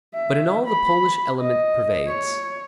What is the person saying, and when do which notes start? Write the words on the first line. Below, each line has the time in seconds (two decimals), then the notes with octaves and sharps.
But in all the Polish element pervades.
0.14 E5
0.66 B5
1.41 D#5
2.07 C#5